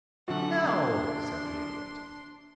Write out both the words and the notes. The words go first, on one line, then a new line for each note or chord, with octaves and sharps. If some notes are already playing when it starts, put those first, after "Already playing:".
"No," said the Idiot.
F#2 D3 A3 F#4 F#5
C3 A#3 D4 C6